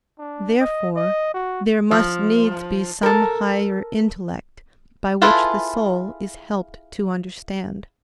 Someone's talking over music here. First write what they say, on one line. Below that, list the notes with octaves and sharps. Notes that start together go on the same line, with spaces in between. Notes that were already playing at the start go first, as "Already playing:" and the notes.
Therefore there must needs be some higher intellect, by which the soul is helped to understand.
D4
D#5
D#5
F#4
F3
A4 A#4
E4 F4 G#4 A4 B4